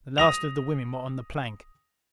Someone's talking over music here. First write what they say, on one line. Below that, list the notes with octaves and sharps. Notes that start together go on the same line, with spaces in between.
The last of the women were on the plank.
D#6 A#6 F7